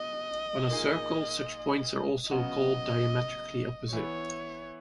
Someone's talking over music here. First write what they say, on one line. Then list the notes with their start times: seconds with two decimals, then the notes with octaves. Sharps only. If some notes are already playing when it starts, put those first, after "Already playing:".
On a circle, such points are also called diametrically opposite.
Already playing: B2 D#5
0.69 A#2 A#3 D#4 G#4
2.31 C#3 F#3 B3 F#4 D#5
3.92 E3 B3 E4 C#5